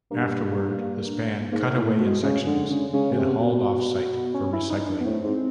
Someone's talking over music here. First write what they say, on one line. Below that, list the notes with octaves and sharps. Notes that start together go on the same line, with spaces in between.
Afterwards, the span cut away in sections and hauled off site for recycling.
G2 A#3
G#2 A#3
A#3
A2
A3
B2
G#3
C#3 G#3
D3
C#3
C#3 G#3
B2 A#3
C3
B3
B2 A#3
B3
C#4
E4
D#4
D4
B3
A2 C4
G#2